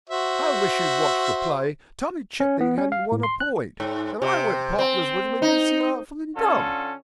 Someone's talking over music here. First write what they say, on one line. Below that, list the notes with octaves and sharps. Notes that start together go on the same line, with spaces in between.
'I wish you had watched the play. Tommy Chitling hasn't won a point; and I went partners with him against the Artfull and dumb.'
F#4 C5 E5
C#4
B3
C#4
F5
A2
C6
F#6
G#2
C3
C4
D#4
D3 C#4 F4 A4